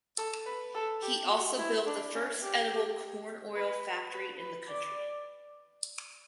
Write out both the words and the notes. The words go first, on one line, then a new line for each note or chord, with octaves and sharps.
He also built the first edible corn oil factory in the country.
A4
B4
A4
G4
F#4
E4
D4
C#4
G4
B4
B4
B4
D5